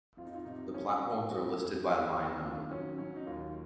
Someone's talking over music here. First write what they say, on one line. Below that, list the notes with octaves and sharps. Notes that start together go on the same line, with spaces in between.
The platforms are listed by line number.
F2 F4
D#4
F4
C3 D#4
F3 C#4
F3 F4
F2 F#4
F2
F3
F2
D#3 F4
F#3 C#4
F#3 C#4
D#4
D#2 F4